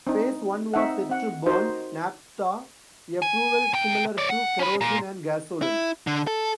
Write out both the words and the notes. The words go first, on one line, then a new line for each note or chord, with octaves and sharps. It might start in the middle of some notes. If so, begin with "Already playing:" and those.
Phase one was set to burn naphtha, a fuel similar to kerosene and gasoline.
C4 D4 D#4
C4 D#4 E5 F#5
C4 F#5
D#4 F#4 A#4 C5
G#5
C3 G5
C#5 D5
F#5
C#4 B4
A#2
E4
D3
A4